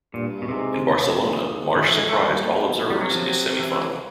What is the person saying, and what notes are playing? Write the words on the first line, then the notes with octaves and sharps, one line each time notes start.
In Barcelona, Marsh surprised all observers in his semi-final.
G2 A#2
B2
G#2 C3
A#2
G#2
D#3
A2 E3
G#3
A3
A#2 G3
B2
C3 G3
F#3
F3
F#3
E3